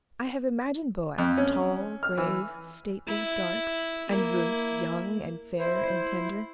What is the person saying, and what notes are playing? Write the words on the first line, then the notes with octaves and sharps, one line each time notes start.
I have imagined Boaz--tall, grave, stately, dark; and Ruth--young, and fair, and tender.
F2
C#4
F6
E3
E4
A#3 E4
E4 C5